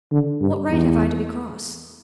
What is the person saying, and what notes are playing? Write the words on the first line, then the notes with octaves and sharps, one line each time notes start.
"What right have I to be cross?"
D3
G2
E2